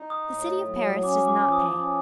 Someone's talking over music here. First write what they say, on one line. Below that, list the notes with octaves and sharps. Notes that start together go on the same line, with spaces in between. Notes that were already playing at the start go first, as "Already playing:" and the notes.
The city of Paris does not pay.
Already playing: D#4
D#6
A2
F#3
C#4 D6
D6
F3
D#6
C#4